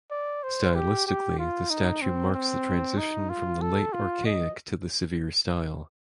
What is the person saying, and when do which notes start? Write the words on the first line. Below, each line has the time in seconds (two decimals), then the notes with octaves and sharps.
Stylistically the statue marks the transition from the late archaic to the Severe Style.
0.11 D5
0.43 C5
0.75 G4
1.07 G4
1.39 F4
1.70 D#4
2.02 C4
2.34 C4
2.98 D#4
3.29 F4
3.61 A4
3.93 F4
4.25 D#5